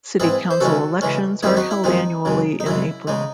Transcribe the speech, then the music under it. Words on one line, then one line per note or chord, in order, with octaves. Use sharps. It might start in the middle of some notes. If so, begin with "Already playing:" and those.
City council elections are held annually in April.
G#2 E3 C4 E4 G#4
C5
C#3 E3 G#3 C#4 F#4 A4
C#3 E3 G#3 C#4
F#2 D#3 G#3 C4 E4 G#4
D#4 F#4
E4
F#2 D#3 G#3 C4 D#4
F#2 C#3 G#3
D#4
F#2 C#3 G#3 E4
C#3 G#3 D#4